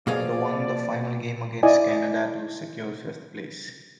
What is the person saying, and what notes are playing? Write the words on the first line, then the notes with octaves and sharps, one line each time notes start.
The won the final game against Canada to secure fifth place.
B2 F3 A#3 G#4 D5 F5
E4 D5 D#5 G#5